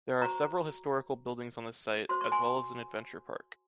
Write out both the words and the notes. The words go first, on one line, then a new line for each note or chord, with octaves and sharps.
There are several historical buildings on the site, as well as an adventure park.
F#4 C5 A#5 C#6
F#4 C5 C6
C#6
G#5 C6